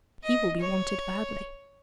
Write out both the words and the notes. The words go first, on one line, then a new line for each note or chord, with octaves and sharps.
He will be wanted badly.'
D#5
C#5